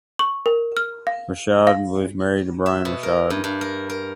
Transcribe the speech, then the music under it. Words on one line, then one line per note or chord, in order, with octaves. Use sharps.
Rashad was married to Brian Rashad.
C#6
A#4
F6
F5
F5
E5
B2
A#4
G2
G2
A#4
A#4